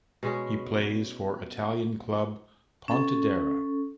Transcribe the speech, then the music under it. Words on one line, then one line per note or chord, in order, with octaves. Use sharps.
He plays for Italian club Pontedera.
B2 G#3 C#4
C#4 A4